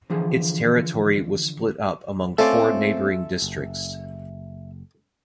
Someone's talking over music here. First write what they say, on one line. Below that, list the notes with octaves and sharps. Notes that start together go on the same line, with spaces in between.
Its territory was split up among four neighboring districts.
D3 E3 F3 G#4
A3 C4 C#4 F4 A4 D5 E5
F#1